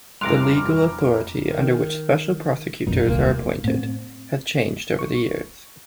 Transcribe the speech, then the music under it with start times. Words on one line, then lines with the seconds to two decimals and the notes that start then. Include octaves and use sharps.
The legal authority under which special prosecutors are appointed has changed over the years.
0.21 F1 G2 E4 A#5 C6 D6 F6 F#6
1.50 D#3
2.87 A1 F#2 B2 D#4
3.07 D#1 C2 A#2 A#3
3.64 A2 C4
4.99 C#6